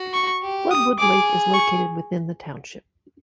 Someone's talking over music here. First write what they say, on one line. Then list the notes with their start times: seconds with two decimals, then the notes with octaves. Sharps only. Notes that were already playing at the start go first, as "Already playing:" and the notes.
Floodwood Lake is located within the township.
Already playing: F#4
0.14 C#6
0.42 G4
0.71 D#6
0.99 G#4 D6
1.54 C#6